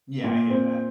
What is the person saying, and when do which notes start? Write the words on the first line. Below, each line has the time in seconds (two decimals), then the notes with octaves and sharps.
Yeah, I hear that.
0.24 A#2
0.50 C4